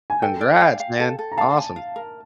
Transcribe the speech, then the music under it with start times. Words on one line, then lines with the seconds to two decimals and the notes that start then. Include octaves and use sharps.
Congrats, man. Awesome.
0.10 G#5
0.22 A4 G5
0.41 D5
0.61 F5
0.80 F5
1.00 A4
1.19 A4
1.32 A#5
1.37 F5 A5
1.57 G#5
1.76 F5
1.96 A#4